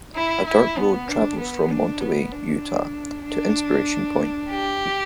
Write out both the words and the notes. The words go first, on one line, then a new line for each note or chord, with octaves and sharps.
A dirt road travels from Mantua, Utah to Inspiration Point.
E4
E4
B3
D4
B3
D4
B3
D4
D4
G4